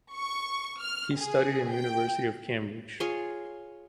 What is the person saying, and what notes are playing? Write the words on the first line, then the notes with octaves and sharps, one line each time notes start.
He studied in university of Cambridge.
C#6
F6
G#4
G5
F4 G#4 C#5 C6